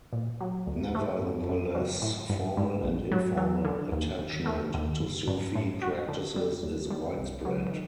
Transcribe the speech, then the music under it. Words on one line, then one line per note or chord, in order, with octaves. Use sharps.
Nevertheless, formal and informal attachment to Sufi practices is widespread.
A#2
F#3
D2
A3
F#2
F#2
F#3
A2
G2
G2
A#1
F#3
F#3
D3
D#2
D#2
A3
D#2
G1
G2
A2
F#4
D3
G3
D#2
G3
C2
F#3
D#3